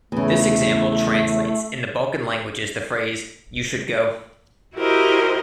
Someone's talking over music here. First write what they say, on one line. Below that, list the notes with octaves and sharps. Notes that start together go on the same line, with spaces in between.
This example translates in the Balkan languages the phrase You should go!
E2 C#3 A3
E4 F#4 G4 A#4 C5 D#5